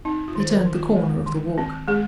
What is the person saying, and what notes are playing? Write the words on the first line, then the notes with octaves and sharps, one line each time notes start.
They turned the corner of the walk.
C4 D#4
F4
D#3 C5
A#4
D#3
F4
G#3
D#3
C4
G#3 G#4